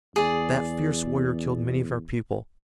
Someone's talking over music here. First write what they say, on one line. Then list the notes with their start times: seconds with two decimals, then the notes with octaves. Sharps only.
That fierce warrior killed many of our people.
0.16 E2 G#4 D5